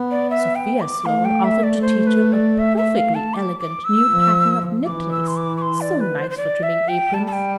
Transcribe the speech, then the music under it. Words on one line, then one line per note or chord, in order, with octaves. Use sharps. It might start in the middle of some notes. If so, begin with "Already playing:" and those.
Sophia Sloane offered to teach her a perfectly elegant new pattern of knit lace, so nice for trimming aprons.
Already playing: B3
D5
E5
G5
D6
A3 F5
G5
E5
D5
C5
B4
D5
E5
E5
F5
A5
D6
D6
E6
F3
E3 D6
E6
C6
D6
D6
C6
D5
B4
C5
C5
D5
E5
G5
G3 A5
A5
G5